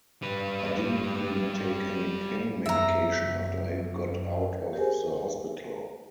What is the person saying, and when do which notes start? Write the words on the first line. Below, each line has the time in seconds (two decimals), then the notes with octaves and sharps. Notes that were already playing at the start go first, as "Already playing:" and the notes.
I didn't even take any pain medication after I got out of the hospital.
0.23 G3 B4
2.66 F#2 E5 A#5
4.73 G4 G#4 A#4 C5 G#5